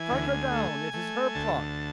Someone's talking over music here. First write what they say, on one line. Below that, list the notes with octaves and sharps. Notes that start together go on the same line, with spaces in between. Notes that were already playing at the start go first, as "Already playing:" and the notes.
Strike her down; it is her plot.
Already playing: E3 G#5
D2
A3
A3
D2 A5